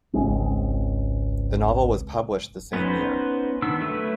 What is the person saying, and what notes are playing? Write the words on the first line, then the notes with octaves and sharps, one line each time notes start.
The novel was published the same year.
G#1 C#2 G#3 C4
B3 C#4 D#4 B4 C5
D#3 B3 D4 E6
F#3 A3 E4 B4